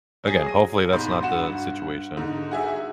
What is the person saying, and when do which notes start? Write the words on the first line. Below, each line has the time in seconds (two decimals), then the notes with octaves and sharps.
again, hopefully, that's not the situation.
0.24 F#3 G#4
0.47 A#6 D#7
0.93 B1 G#2 B5 C6 G6
1.23 G2 F#4 F#5 E7
2.17 G#2 D3 D#4
2.51 F#4 G#4 E5